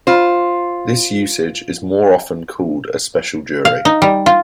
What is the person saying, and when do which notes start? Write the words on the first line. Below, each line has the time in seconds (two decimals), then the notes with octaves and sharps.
This usage is more often called a special jury.
0.07 F4 C5
3.65 F5
3.85 D#4
4.02 G3
4.26 F4